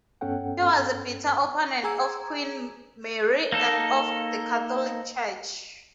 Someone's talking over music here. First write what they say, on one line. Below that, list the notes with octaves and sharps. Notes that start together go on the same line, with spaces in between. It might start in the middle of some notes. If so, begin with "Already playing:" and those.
He was a bitter opponent of Queen Mary and of the Catholic Church.
G2 B3 C#4 A4 F#5 G5
G#4 G#5 A#5 E6 G#6
A#3 D#4 A4